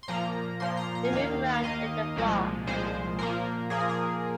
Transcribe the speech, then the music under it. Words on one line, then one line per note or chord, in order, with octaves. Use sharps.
They move around with the flock.
C6
A#2 F3 A#3 A#5
A#2 F3 A#3 C6
A#5
A#5
G#5
D#2 D#3 A#3 F5
F5
D#2 D#3 A#3 D#5
C2 A#2 F3 G#3
C2 A#2 F3 G#3 C5
A#2 F3 A#3 A#4
A#2 F3 A#3 G#4
A#4
G#4